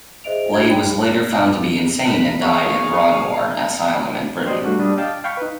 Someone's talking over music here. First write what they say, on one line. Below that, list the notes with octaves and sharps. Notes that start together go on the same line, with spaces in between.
Ley was later found to be insane and died in Broadmoor Asylum in Britain.
G#4 C5 D#5 E5 D7 F7
D4 F#4 G#6 D7 G7
G5 B5
B5
G#4 F5 C#6
F#4 G4 C5 D5 D#5
G3 A3 D4 F#4 G4
A#2 G3 D4 D#6
D#5 F5 G5 A5 D6
F5 G5 B5 C#6
D#4 B4